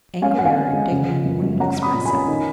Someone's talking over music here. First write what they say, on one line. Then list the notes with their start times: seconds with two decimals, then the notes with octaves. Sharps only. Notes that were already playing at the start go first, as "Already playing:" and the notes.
Angry or indignant wouldn't express it.
0.22 C#4 F5 G#5
0.38 C#4 F#5
0.45 F5 G#5
0.57 C#4
0.73 G#3
0.92 C#3
1.09 F3
1.26 F#2
1.43 F#2
1.60 C#4 F#5 A#5
1.77 C#4
1.82 B5 D#6
1.94 A#2
2.05 G#5 B5
2.11 C#4
2.28 D#3